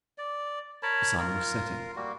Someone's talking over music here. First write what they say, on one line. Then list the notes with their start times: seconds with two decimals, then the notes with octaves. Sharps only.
The sun was setting.
0.18 D5
0.83 A#4 C#5 A5 B5
1.18 F4 A#4
1.96 G3 A#3 F#4